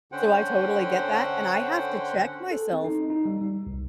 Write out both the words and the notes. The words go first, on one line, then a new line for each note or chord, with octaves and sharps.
so I totally get that, and I have to check myself
D3 C#4 C5 F#5 G5
A4
C4
D#4
D#4
G3
G3
C2